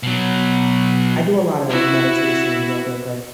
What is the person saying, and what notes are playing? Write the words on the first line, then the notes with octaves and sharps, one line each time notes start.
I do a lot of meditation and yoga, but
B2 F#3
E4 F#4